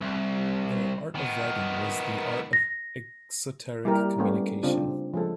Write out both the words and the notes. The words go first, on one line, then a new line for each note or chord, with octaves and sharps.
Their "art of writing" was the art of "exoteric" communication.
C2
D#3 B3
A#6
G3 A#3 E4 G4 A#4
G3 A3 B3 C#4 G4
C#3 C4 D4 F4
F3 G#3 A4